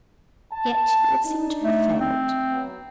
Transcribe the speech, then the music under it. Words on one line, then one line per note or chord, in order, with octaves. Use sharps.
Yet he would seem to have failed.
A5
D4 D#4
A3
C4
F#3 B3